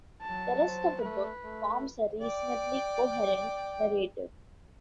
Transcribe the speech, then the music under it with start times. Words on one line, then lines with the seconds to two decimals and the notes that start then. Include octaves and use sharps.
The rest of the book forms a reasonably coherent narrative.
0.23 F#3 A5
0.67 C5
1.02 A3 B4
1.44 A3
2.21 D5 G5